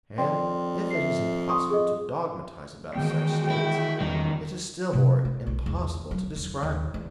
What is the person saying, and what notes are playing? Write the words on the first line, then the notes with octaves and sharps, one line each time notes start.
And if it is impossible to dogmatize about such states, it is still more impossible to describe them.
F2 D5 G5 C6
E5 C7
C6 C#6 D#6
G#4 D#5
D#3 E3 G#3 B3 F#4 G5
E4
E2 D#3 E3 G3
C3
F4
B1
E2
F#3
E2
D#2
E2